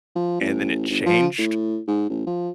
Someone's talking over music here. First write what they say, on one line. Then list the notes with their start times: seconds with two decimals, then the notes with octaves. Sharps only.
and then it changed,
0.15 F3
0.41 A1
0.90 G1
1.06 F3
1.38 A2
1.87 G#2
2.10 A1
2.26 F3